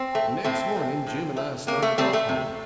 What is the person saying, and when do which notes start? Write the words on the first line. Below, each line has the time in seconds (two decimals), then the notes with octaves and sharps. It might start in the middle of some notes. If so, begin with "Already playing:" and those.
The next morning Jim and I started off home.
Already playing: C4
0.15 A3
0.44 A2 A3 C4
0.76 A3
1.06 A2
1.36 A3
1.67 C3 A#3
1.82 A3
1.98 G3 A3 C4
2.13 A3
2.29 C3